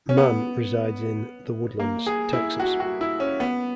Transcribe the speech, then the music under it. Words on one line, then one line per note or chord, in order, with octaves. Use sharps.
Mann resides in The Woodlands, Texas.
C#4
B3
A#3
G#4
E4
F#4
F#4
E4
C#4
B3